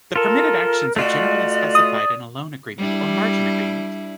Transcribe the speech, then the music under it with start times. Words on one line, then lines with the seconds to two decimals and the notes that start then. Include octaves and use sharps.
The permitted actions are generally specified in a loan agreement or margin agreement.
0.16 F4 A4 A#4
0.96 A3 F4 F#4 D5 D#5
1.75 D#6
2.78 G3 D4 E4